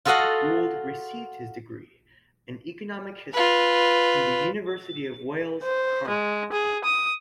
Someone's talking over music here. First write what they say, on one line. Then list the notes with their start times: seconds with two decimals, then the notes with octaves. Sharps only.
Gould received his degree in Economic History from the University of Wales, Cardiff.
0.05 F4 F#4 A4 D#5 F5 F#5
3.33 F4 B4
5.63 C5
6.08 G#3
6.52 G#4
6.84 D#6